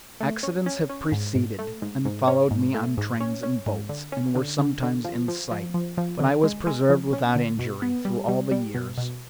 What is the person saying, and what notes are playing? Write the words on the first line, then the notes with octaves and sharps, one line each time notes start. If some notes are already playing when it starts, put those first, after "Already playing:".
Accidents have preceded and followed me on trains and boats, and were sometimes in sight, but I was preserved without injury through all the years.
A3
C#4
C#4
C#4
G#2
G#2
A3
G#2
G#2
C#4
G#2
A3
G#2
C#4
C#4
G#2
D3
C#4
D3
D3
D3
F3
F3
F3
F3
F3
D3
G#3
G#3
F3
C#4
D3
B2
B3
G3
G3
G3
B2
B2